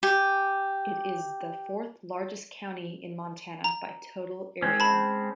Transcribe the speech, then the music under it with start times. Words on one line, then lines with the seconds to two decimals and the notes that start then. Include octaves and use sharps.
It is the fourth-largest county in Montana by total area.
0.03 G4 G#5
3.64 A#5
4.62 G#3 C4 C#4
4.80 A5 B5